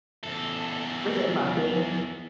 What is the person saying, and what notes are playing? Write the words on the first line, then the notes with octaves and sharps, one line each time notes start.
Was it mucky?
E2 A4